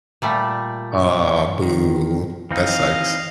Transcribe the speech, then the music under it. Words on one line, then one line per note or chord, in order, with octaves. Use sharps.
Aw, boo. That sucks.
A#2 G3 A3
D#3
E3 C4 D#4 D#5 F5